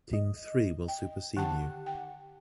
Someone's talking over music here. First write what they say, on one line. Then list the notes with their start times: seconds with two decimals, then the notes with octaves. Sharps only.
Team three will supersede you.
0.13 D#5
0.88 G5
1.37 D3 D#3 G4 F#5 A5
1.86 G5